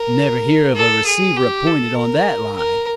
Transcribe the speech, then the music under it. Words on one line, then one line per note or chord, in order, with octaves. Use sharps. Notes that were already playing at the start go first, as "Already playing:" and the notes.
Never hear of a receiver appointed on that line.
Already playing: A#4
A4
G#4
G4
A4
A#4
A#4